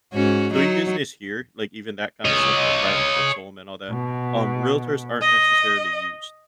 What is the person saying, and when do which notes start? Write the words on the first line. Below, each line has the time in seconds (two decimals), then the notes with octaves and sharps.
w doing business here, like, even that kinda stuff, like, buying a first home and all that, um, realtors aren't necessarily used,
0.14 G#2 C#4 F#4
0.53 F#3 D#4 F#4
2.25 C#5 D#5
3.88 B2
5.20 D#5